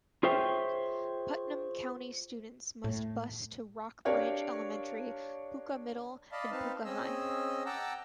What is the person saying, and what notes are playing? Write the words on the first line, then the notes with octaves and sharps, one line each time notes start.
Putnam County students must bus to Rock Branch Elementary, Poca Middle, and Poca High.
F4 G#4 C5 C#5 E5 G5
A2
D4 G4 A#4 C#5 D5 F5
D5 D#5 F5 A5 B5
C4 D#4 B4 F5 A5
C4 C#4 G#4 D#5 E6
F#5 G5 A5 A#5 D6 E6